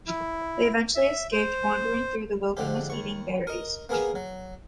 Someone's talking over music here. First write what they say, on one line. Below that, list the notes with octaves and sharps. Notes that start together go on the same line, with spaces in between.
They eventually escaped, wandering through the wilderness eating berries.
E4
E5
C5
G#2 D3 F3 G4
D#2 C#6
A#4 D#5
A#3 B3 G#4 A#4
F#3